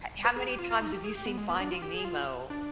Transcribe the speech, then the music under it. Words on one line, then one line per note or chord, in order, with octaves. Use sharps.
He how many times have you seen Finding Nemo?
B4
G#4
G4
F4
F4
D#4
G4
G#4
G4
B3
G#3
B3
D4
F4
G4
G#4
F4
D4